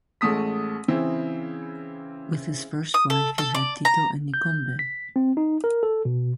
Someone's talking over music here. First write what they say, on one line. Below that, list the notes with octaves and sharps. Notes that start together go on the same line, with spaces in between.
With his first wife he had Tito and Nikombe.
A1 G#3 A3 D#6 B6
C#3 E3 C4 E4
D#6
A4
A4
D5
A#5
G6
B6
C4
D#4
A#4
A4
B2